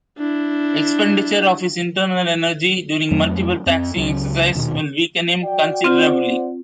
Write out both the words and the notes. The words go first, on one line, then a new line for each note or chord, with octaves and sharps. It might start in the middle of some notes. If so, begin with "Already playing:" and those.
Expenditure of his internal energy during multiple taxing exercise will weaken him considerably.
D4 E4
F2 F#3 A3
F2 C4
C#2 C#3 F#3
D#1 B2 D#3
F#4 D5 G5
C4 F4 C5 D5 F#5